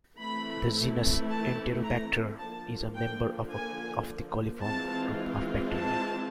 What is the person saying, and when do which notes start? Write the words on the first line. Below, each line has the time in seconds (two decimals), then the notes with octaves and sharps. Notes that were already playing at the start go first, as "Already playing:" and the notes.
The genus "Enterobacter" is a member of the coliform group of bacteria.
0.18 E3 A3 C4 E4 B5
1.30 A5
1.84 A#5
2.40 D3 F3 A#3 A5
2.95 G5
3.50 G#5
4.59 E3 G#3 C4 F4 A5
5.71 A5